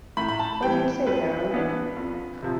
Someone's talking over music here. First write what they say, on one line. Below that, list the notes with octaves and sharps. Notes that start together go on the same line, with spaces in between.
What do you say, Harold?
A2 B5
B5
A5
E3 G3 G5
F2 B4
E3 B3 D4
F2
C3 F3